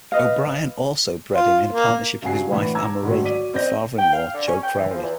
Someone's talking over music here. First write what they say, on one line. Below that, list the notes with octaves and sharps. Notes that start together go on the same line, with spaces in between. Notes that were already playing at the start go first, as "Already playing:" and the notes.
O'Brien also bred him in partnership with his wife Anne-Marie and father-in-law Joe Crowley.
B4 D#5 F5
F4
A#3
G2 C#3 F#3 F#5 G#5 C7
A2 D3 E3 B5
A5 A#5 D6 E6 G#6
G#2 D3 D#3 F#3 A3
F#3 D5 D6 B6 D#7
C4 D5 D#5 G6 A#6
G5
F5
D3
C#4
G5
E3
F3
E2